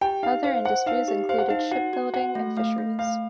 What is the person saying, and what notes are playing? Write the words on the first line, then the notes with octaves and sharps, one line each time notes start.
Other industries included shipbuilding and fisheries.
G4 G5
D#4 F5
C5 F5
C5 F#5
D#4 F5
G4
C5 F5
F#5
D#4 F5
F#4 F#5
F#4
F#4 F#5
A3
A3 F5
A3
A3 F5